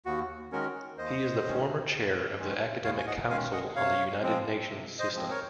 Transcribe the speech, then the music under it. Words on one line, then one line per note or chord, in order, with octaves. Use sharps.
He is the former chair of the Academic Council on the United Nations System.
D#2 F#4
D#3 G#3 C#4 F#4 A#4
D#2 C5 D#5
D#3 G#3 C#4
D#2
D#3 G#3 C#4
D#2 C#5 F5
G#5
D#5 F#5
D#3 G#3 C#4 F5 G#5
D#5 F#5
C3 C#5 F5
F3 G#3 C4
C3
C5 D#5
F3 G#3 C4
A#4 C#5